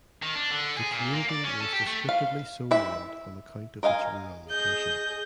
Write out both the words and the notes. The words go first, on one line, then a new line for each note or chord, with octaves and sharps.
The community was descriptively so named on account of its rural location.
D#3
D4
D3
G#4
A#2
A#3
D5
C#4
A4
G4
A3
F5
E4 E5
A#4 D#5 F5 G#5
G#4 D#5 G6